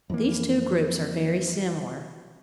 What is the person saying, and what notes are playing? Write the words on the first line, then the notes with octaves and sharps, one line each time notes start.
These two groups are very similar.
F2 E3 A#3